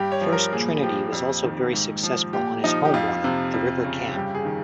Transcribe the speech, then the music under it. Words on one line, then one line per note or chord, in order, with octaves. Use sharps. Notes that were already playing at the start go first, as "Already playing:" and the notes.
First Trinity was also very successful on its home water, the River Cam.
Already playing: G2 G3 G4
C#5
F3
A#4
A#2 G#4
F3 G4
F2
D#3
G#2
F3
A#2 G4
F3 D#4
G4
F2 F4
C3
F2
C#3
G2 G4
G#4
D#3